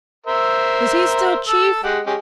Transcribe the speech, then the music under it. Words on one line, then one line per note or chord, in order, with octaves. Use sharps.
"Is he still chief?"
A#4 C5 E5
A4 E6
G#3 G4 F#5
G#3 C#4 G4